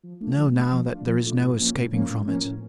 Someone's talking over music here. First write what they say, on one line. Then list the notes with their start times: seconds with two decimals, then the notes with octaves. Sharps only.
I know now that there is no escaping from it.
0.03 F3
0.20 A3 D4 F4
0.37 F3
0.54 A3 D4 F4
0.72 F3
0.89 A3 D4 F4
1.06 F3
1.23 A3 D4 F4
1.41 A2
1.58 F3 A#3 C#4
1.75 A2
1.92 F3 A#3 C#4
2.10 A2
2.27 F3 A#3 C#4
2.44 A2